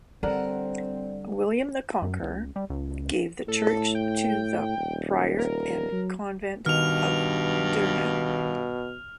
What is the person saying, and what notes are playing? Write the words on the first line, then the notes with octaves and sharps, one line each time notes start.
William the Conqueror gave the church to the prior and convent of Durham.
D3 G3 C4 A#4 D5 F#5
F#2
C#2
G3
C#2
A2 A4
G5
D#1
A#4
F#3
G2 B2 D#3 F6 F7